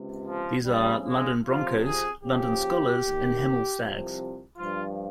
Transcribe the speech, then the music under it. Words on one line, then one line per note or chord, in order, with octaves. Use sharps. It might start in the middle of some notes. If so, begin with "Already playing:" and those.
These are, London Broncos, London Skolars and Hemel Stags.
Already playing: C#2 C3
F3
F2 C#3 F3 G3
G#3
F2 C3 F3 F4
G#4
D#2 C#3 F3 G4
D#2 D#3
C2 C3 F3
G2 F3 F4